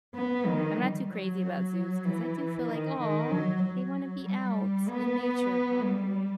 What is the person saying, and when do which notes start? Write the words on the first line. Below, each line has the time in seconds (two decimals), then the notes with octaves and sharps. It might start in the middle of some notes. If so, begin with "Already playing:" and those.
I'm not too crazy about zoos 'cause I do feel like, "Aw, they wanna be out, in nature probably,"
0.14 B3
0.46 D#3
0.77 G3
1.09 F#3
1.41 F#3
2.05 E3
2.67 D#3
2.99 D#3
3.31 F#3
3.62 F#3
4.25 G3
4.89 B3
5.84 G3